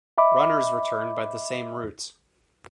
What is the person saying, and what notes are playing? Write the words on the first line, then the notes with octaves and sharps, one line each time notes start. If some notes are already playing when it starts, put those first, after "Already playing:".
Runners return by the same route.
D#5 E5 B5 D6